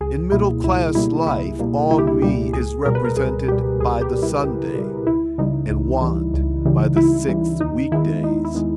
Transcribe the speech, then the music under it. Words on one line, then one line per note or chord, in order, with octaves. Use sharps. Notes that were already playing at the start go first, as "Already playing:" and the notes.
In middle-class life ennui is represented by the Sunday, and want by the six week-days.
C#2 G#4
B2 G3 A#3 E4
C#2 E4
B2 G3 A#3 E4
C#2 E4
B2 G3 A#3
C#2 E4
G4
E4
B2 G3 A#3 G4
C#2 G#4
B2 G3 A#4
B4
A#4
C#2 G#4
B2 G3 G4
C#2 G#4
G4
B2 G3
E4
C#2 G4
B2 G3
C#2 E4
C#3 E3 G3 D#4
C#2
C#3 E3 G3
C#2
C#3 E3 G3
C#2 E4
C#3 E3 G3
D#2 D#4
D#3 G#3 B3 E4
D#2 D#4
E4
D#3 G#3 B3